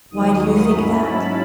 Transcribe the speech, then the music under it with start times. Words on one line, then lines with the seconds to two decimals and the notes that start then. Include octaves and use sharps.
"Why do you think that?"
0.11 D#2 D#3 F#3 D#6
0.69 G#2 F#3 C#4 E4 B5
0.98 A5